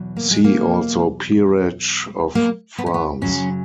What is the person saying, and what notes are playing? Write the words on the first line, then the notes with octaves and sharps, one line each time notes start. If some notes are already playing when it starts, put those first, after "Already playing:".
See also Peerage of France.
Already playing: E2 B2 F#3
A#3
G#3
A#3
A#3
B3
C#4
B3
F#2 C#3 F#3 C#4